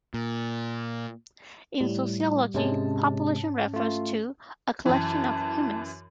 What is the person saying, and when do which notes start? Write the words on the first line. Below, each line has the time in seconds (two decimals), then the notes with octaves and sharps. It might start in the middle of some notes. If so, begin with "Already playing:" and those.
In sociology, population refers to a collection of humans.
0.14 A#2
1.80 A2 G3
2.54 G#2 C3 G#3 C#4 A5
3.74 A3 F4
4.86 F#2 E3 A5